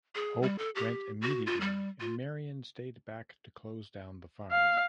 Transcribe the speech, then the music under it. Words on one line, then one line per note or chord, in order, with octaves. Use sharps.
Hope went immediately and Marian stayed back to close down the farm.
G#4
G3
A4
G4
F#4
F4
G3
F4
F5